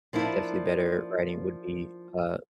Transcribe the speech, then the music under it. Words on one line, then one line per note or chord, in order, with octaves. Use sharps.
definitely better writing would be, uh,
F3 A#3 D4 E4